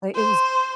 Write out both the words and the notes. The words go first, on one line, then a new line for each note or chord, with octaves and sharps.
Like, it was
C5